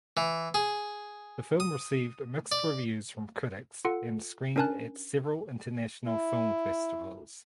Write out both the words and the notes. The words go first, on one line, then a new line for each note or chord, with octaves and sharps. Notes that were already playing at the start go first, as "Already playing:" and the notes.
The film received mixed reviews from critics and screened at several international film festivals.
E3
G#4
D#6
D5
F4 A4 F#5
C#4 D4 A#4 G#5 A5 F#6
E4